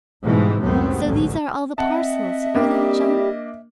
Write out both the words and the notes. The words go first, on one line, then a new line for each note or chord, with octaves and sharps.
"So these are all the parcels, are they, John?"
G#2 B2 E3 G3 G#3
C#2 F#2 A2 C3 B3 C4
A1 D2 G#2 B2 D3 F#3
C4 D#5 E5 F#5 A5
G3 A#3 D4 G4